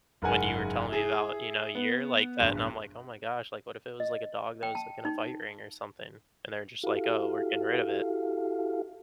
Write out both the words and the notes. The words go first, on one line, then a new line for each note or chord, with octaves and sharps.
when you were telling me about, you know, you're like that, and I'm, like, "Oh my gosh," like, what if it was, like, a dog that was, like, in a fight ring or something, and they're just, like, "Oh, we're getting rid of it."
F#1 G#2 A#4 F#5 G#5
E4 G#4
B3
D1 G1
D#5
G5
A5
D#4
E4 F#4 G4 A4 F5